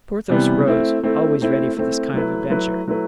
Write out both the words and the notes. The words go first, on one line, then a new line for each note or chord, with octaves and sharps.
Porthos rose, always ready for this kind of adventure.
C3 E3 G3 B3
A3 C4 E4
A3 C4 E4
A3 C4 E4
A3 C4 E4
F#3 A3 E4 B4
F#3 A3 E4 B4
F#3 A3 E4 B4